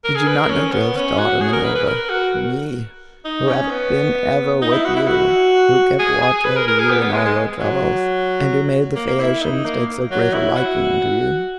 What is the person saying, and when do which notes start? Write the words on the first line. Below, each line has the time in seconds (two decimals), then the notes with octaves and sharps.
Did you not know Jove's daughter Minerva--me, who have been ever with you, who kept watch over you in all your troubles, and who made the Phaeacians take so great a liking to you?
0.05 A#4
0.16 G#4
0.27 B4
0.38 A#4
0.50 C#4
0.72 B3
0.96 C#4
1.19 F#4
1.41 G#4
1.53 A#4
1.64 B4
1.75 B4
1.87 A#4
2.10 F#4
3.25 D#4
3.48 C#4
3.71 B3
4.62 D#4
4.73 E4
4.85 F#4
4.96 E4
5.07 F#4
5.99 G#4
6.22 G#4
6.45 B4
6.56 A#4
6.68 A#4
6.79 G#4
6.91 B3
7.01 B3
7.13 G#3
7.25 G#3
7.59 F#3
8.96 A#3
9.07 A#3
9.20 E4
9.41 D#4
9.65 A#3
10.11 F#3
10.34 E4
10.56 F#4